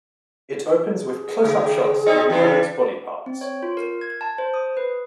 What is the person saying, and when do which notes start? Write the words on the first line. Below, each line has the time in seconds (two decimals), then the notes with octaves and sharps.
It opens with close-up shots of Minogue's body parts.
0.97 G#4
1.44 C#3
2.06 G3 C4 D#4
2.30 E3 G3 D4 E4
3.26 C4
3.41 C#5
3.63 F4
3.77 A#4
4.01 G#6
4.21 A5
4.38 C5
4.54 D#6
4.77 B4